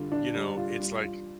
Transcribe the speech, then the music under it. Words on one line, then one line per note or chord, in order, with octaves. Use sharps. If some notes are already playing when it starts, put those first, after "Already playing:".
you know, it's, like,
Already playing: D3 G3 F4
D4
G3
F4
G3
F4